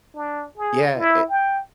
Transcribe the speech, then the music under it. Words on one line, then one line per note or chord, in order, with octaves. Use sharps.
Yeah, a
D4
G#4
E4
G5